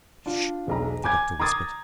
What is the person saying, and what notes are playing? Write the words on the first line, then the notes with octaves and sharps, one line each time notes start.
"Sh!" the Doctor whispered.
D4 F4
E1 B1 A#5
G#5 D6 G6 G#6
A#5 C6 D6 D#6 G#6 A6